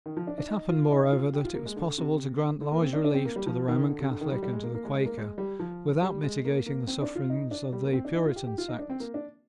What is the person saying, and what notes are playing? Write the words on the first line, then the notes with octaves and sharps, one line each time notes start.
It happened, moreover, that it was possible to grant large relief to the Roman Catholic and to the Quaker without mitigating the sufferings of the Puritan sects.
D#3
F3
D4
D4
D#4
F4
D#4
F4
G4
F4
A#3
G#3
D3
C3
D3
A#3
C4
D4
D4
C4
A#3
G3
F3
D#3
D3
C3
D3
D#3
G3
G3
G#3
A#3
A#3
G#3
G#3
A#3
G#3
G3
F3
G3
G#3
A#3
A#3
C4
D4
F4
D#4
D4
G3
A#3
C4
D4
D#4
F4
G4
G4
F4
D#4
D4
C4
A#3
D4